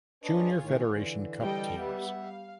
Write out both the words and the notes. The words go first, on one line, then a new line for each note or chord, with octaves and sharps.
Junior Federation Cup Teams.
D4 F4 G#4 B4 C#5 D#5
A2 D#3
D3 E3
G3 A4 D#5 G5
B3 E5 F#5
F5